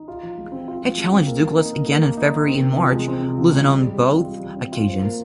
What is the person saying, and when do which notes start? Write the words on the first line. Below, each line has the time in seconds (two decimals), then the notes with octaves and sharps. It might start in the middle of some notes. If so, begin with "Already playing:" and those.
He challenged Douglas again in February and March, losing on both occasions.
Already playing: D#4
0.08 F4
0.23 F3
0.38 G#3
0.52 C4
0.68 F4
0.83 F3
0.97 G#3
1.12 C4
1.27 A#3
1.42 A#3
1.58 D#4
1.73 A#4
1.87 A#3
2.03 A#3
2.17 D#4
2.33 A#4
2.47 C4
2.63 C3
2.77 F3
2.93 G#3
3.08 C4
3.22 C3
3.38 F3
3.53 G#3
3.67 G3
3.82 G3
3.97 C4
4.13 F4
4.28 G3
4.42 G3
4.57 C4
4.72 F4
4.87 C5
5.03 A#3